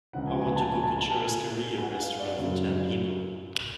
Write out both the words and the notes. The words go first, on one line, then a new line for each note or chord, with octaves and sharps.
I want to book a churrascaria restaurant for ten people.
C#2 C#3 F3 F#5
G#5
G#5
A5
G#5
A5
A5
G#5
G#5
F#5
F5
D5
F#2 C#3 F#3